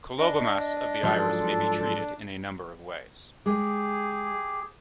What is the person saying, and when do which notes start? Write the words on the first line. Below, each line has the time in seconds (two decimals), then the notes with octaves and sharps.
Colobomas of the iris may be treated in a number of ways.
0.19 D4 D#5
1.03 G#2 F3 F#3 F4 A4
3.46 G#3 G4 G#4